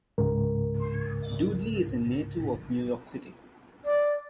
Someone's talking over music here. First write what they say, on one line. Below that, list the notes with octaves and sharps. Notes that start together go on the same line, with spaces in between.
Dudley is a native of New York City.
C#2 G#2 C#3 A#4
D5